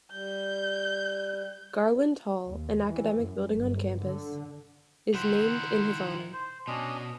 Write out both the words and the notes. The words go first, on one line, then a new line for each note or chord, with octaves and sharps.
Garland Hall, an academic building on campus, is named in his honor.
G3 G6
D#2
E3
F#2
G1
D3
D#3 E4 C5 F#5
C5
B2 C#4 D4 D#5